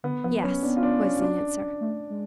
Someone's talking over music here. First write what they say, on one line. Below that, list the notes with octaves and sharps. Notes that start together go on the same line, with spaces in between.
"Yes," was the answer.
D3 B3
F3 B3
F#3 C#4
B3 D4
F4
D4
C#4
F4
D4
A3
G#3